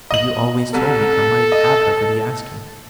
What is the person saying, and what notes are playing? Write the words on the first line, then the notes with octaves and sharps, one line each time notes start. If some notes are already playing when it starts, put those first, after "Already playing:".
"But you always told me I might have her for the asking."
D#5 F#7
C2 A4
D#5